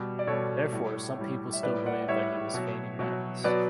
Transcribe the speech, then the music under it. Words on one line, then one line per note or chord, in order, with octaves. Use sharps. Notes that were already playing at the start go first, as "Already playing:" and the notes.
Therefore, some people still believe that he was feigning madness.
Already playing: B2 G3
D5
B2 G3 A4 C#5
A2 G3
A2 G3
E5
A2 G3 B4 D5
D5 F#5
A2 G3 C#5 E5
B2 F#3
B2 F#3
B2 F#3 B4 D5